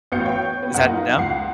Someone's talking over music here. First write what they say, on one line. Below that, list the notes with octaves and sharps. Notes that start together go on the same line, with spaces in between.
is that them?
A1 B3 F#4 F5 G6 C#7
C#5 G5
B3
A#1 F#2 F#5
D#4 F4
C#2 F5 F#5 C7